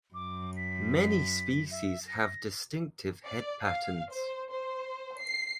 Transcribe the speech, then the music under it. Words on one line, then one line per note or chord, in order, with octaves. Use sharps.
Many species have distinctive head patterns.
F#2 D6
B6
B6
E5
A#6
D5
F5
C5
C5
C7